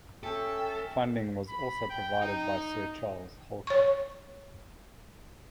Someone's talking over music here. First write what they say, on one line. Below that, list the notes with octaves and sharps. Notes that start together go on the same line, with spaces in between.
Funding was also provided by Sir Charles Holcroft.
C#4 A4 E5 G5
B5
G5
D#4
C#5 C#6